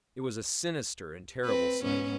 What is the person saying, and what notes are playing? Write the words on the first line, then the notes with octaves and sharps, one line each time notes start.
It was a sinister and terrible sight.
C4 B4
G#2 B3 C#4